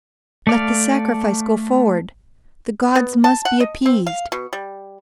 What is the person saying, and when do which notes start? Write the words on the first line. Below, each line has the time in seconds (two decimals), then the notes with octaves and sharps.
Let the sacrifice go forward; the gods must be appeased.
0.47 A3 D5 F5
2.95 B3
3.24 A5
3.45 F#5
3.60 D#5
3.86 C4
4.07 F5
4.32 B2
4.53 G3